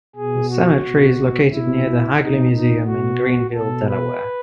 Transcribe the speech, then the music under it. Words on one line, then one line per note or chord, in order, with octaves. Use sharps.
The cemetery is located near the Hagley Museum in Greenville, Delaware.
B2 G#4
F#4
B2
B2 E4
B2 D#4
D#4
B2 F#4
B2 A4
B4